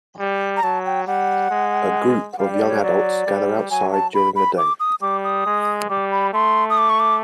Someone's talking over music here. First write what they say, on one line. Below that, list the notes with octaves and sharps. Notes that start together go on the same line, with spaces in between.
A group of young adults gather outside during the day.
G3
A#5
F#3 A5
G5
G3 F#5
G#3
F#5
G3 F5
D5
C#5
F#3 D5
G3
F#3 G#5
A5
B5
B5
D6
D#6
G3 D6
D#6
G#3
G3 D6
B5
A3 C6
D#6
D6
C#6
D6